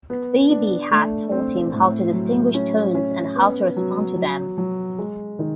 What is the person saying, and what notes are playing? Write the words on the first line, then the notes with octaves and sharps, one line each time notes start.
Beebe had taught him how to distinguish tones and how to respond to them.
B3
D4
A3
C4
A2
F#3
C#4
C#4
B3
F#3
F#3
F#3
G#3
D#3